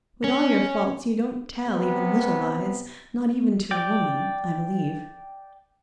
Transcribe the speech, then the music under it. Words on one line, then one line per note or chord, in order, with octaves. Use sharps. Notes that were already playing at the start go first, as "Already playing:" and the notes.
With all your faults, you don't tell even little lies; not even to a woman--I believe.
C#4
C3 B3
D5 G5